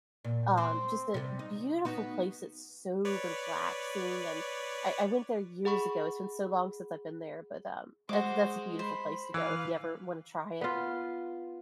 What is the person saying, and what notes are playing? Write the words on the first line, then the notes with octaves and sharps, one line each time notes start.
Um, just a beautiful place. It's so relaxing, and I I went there years ago. It's been so long since I've been there, but, um, eh, that's a beautiful place to go if you ever wanna try it.
A#2
C4 C5
C3 G3
D#4
B3 D#4 F#4
B4 C#5 D5
G#4 F#5 B5 C#6
G#3 F#4 C5 D6
C5 B5
E3 B4 F5
B3 F4